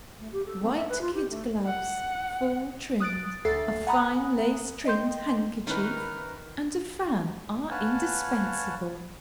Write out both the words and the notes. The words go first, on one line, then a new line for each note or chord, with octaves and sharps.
White kid gloves, full trimmed, a fine lace trimmed handkerchief, and a fan, are indispensable.
A3
G4
A4
C4
E5
B4
F4
G4
A3
F#5
D#6 F#6 A6 D7
D2 A4 E5 A6 C7
F#5 G#5 A#5 B5 D#6 F#6
D#5 G5 C6 G6
D#3 C#4 E4 A#4 B4
B4 C#5 F5 F#5 G#5 A5